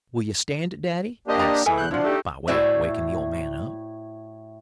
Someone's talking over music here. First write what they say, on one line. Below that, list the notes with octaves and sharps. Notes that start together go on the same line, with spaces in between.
"Will you stand it, daddy?" asked Simon, by way of waking the old man up.
A#3 D4 G4 C5 D#5
D5 A#5
G#2 E3 A4 E5 G#5
E2 F#6 G6
F3 D4 E4 F#4
A3 D#4 G4
A2 E4 F#4 C5 D5 E5